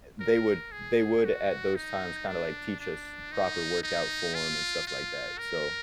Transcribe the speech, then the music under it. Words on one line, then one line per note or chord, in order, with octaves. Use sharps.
they would they would, at those times, kinda, like, teach us proper workout form and stuff like that, so
A#4
G#4
F#4
D#4
D4
D4
D#4
D#4
F4
F4
A#4